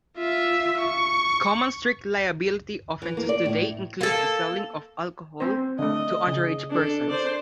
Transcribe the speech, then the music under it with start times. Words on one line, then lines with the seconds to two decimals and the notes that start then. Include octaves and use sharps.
Common strict liability offenses today include the selling of alcohol to underage persons.
0.17 F4 E5
0.80 C#6
3.02 E3
3.17 A#3
3.29 D5
3.46 A2
4.01 A#3 A4
5.40 C4 C5
5.79 D3 A3 D#5
6.27 C#3
6.70 D4 A4
7.09 C5 D5